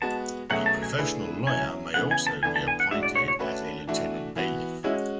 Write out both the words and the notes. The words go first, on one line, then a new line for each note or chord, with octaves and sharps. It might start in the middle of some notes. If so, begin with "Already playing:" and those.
A professional lawyer may also be appointed as a Lieutenant Bailiff.
G#3 B3 F#4 A5
B2 F#3 A3 C#4 G#4 F#5
A5
G#5
D3 A3 E4 G#4 B4
F#3 C#4 E4 G#5
C#3 E3 B3 F#5
G#5
A5
E3 B3 D4 A4 G#5
A5
G#5
F#5
A2 G#3 D4 F#4 E5
D5
C#5
C#5
A3 C#4 D4 F#4 B4
E3 A3 D4 F#4
E3 B3 F#4
G#3 C#4 E4 F#4